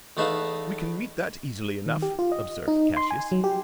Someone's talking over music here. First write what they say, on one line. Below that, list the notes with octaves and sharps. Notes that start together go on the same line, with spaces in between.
"We can meet that easily enough," observed Cassius.
E2 A3 D#4 B4 E5 F5
D#3
G4
F4
D#5
D#4
C6
G#5
F#3
G4